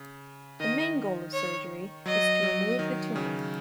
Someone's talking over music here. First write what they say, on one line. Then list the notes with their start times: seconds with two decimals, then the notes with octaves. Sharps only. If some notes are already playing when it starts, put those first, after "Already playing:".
The main goal of surgery is to remove the tumor.
Already playing: C#3
0.60 D#3 D#5
1.33 C#5
2.06 F#3 D#5
2.43 F#3
2.79 D#3
3.16 C#3